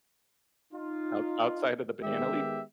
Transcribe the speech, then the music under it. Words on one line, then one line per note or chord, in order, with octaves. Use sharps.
Out outside of the banana leaf?
D#4 F4
D#3 G#3 B3 G4 E5